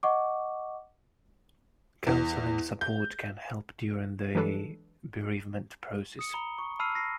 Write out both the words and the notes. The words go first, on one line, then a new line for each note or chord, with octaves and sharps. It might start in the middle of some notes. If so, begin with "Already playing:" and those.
Counseling support can help during the bereavement process.
D#5 F#5 C#6 D6
E2
G6
E3 F#3 G#3 D4 A4 B4
D#6 C#7
A#5 B5 G7
C#6
A5 B5 E6 F6 C7 D#7
A#6 C7